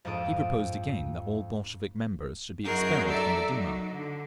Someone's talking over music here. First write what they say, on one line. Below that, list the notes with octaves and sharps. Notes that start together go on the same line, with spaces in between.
He proposed again that all Bolshevik members should be expelled from the Duma.
F2 G#2 D4 A4 D#6 D7
F#2 D#4 F#4 G#4 A#4 G6
A4 D5 E5 A#5
F#3 D#4
D3